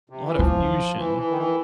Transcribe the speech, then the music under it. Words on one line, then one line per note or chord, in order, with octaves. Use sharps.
lotta fusion.
C3
E3
E3 F3
E3
E3
D#3
E3